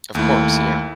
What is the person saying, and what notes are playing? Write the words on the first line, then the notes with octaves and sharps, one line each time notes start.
Of course, yeah.
D#2 A3 E4